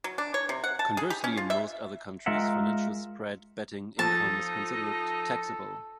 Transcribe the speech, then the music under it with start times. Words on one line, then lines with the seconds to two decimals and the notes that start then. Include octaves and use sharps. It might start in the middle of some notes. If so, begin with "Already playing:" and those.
Conversely, in most other countries financial spread betting income is considered taxable.
0.04 F#3
0.18 D4
0.34 C#5
0.49 C3
0.64 F#5
0.79 A5
0.97 G#4
1.10 G4
1.24 C#4
1.37 F4
1.50 E5
2.26 G#3 F4 A#4 E5 F#5
3.99 F3 D#4 A4 A5